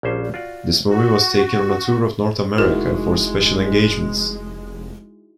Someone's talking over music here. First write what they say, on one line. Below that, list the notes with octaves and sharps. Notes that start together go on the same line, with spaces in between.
This movie was taken on a tour of North America for special engagements.
A#1 G3 C#4 C5
F4 F#4 D5
F#4
F1 G#3 D#4 E4 F#4 A#4